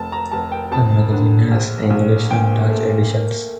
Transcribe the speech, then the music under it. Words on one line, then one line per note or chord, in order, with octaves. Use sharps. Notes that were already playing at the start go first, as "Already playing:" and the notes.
The magazine has English and Dutch editions.
Already playing: F1 A5
A#5
F1 A5
G5
F2 A5
D3
A#1
A#1
A#2 G5
A3
A#3